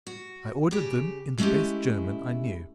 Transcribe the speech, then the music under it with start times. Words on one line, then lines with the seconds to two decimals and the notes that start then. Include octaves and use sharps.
I ordered them in the best German I knew.
0.07 F#4
0.71 C#3 G4
1.38 G#3 A3 C#4 E4 G4